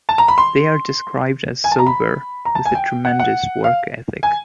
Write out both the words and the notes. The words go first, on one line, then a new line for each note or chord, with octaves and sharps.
They are described as "sober" with a tremendous work ethic.
A5
A#5
B5
C6
G#5
A5
A#5
B5
A#5
A5
G#5
G5
F#5
F#5
F5
G#5